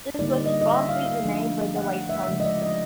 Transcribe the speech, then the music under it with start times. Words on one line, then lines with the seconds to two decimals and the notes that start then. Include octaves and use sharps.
This was promptly denied by the White House.
0.19 D3 G3 A#3 D#4 D5
0.46 D#5
0.61 D#5
0.71 E5
0.89 F5
1.06 F5
1.24 F3 A3 D4
1.76 F#5
2.09 E5
2.27 C#3 F3 G#3 E5
2.40 D#5
2.44 D5
2.62 D#5